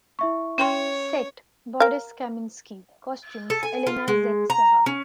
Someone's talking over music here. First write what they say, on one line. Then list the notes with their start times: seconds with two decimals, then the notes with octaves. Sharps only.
Set: Boris Kaminsky, Costumes: Elena Zaitseva.
0.19 E4 E5 C#6
0.58 C#4 C#5 G5 C6
1.80 A#4 F5
3.50 A4
3.63 G#5
3.87 F4
4.08 G#3
4.50 A#5
4.86 C#4